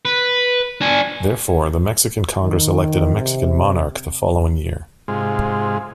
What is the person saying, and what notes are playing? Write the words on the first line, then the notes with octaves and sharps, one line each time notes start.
Therefore, the Mexican Congress elected a Mexican monarch the following year.
B4
D4 G#5
D#3
C3
G#2 C3 G#3 F4